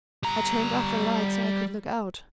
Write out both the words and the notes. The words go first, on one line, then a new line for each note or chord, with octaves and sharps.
I turned off the light so I could look out.
G3 A#5